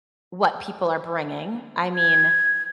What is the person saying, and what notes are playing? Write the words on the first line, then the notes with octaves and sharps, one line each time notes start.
what people are bringing. I mean,
G#6